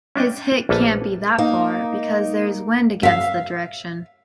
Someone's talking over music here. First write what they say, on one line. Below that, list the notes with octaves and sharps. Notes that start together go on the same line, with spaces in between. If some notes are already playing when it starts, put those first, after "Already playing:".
His hit can't be that far because there is wind against the direction.
C#4 D4 D#5 G5
A#1 A#3 A4 B4
A#3 D#4
E5 F5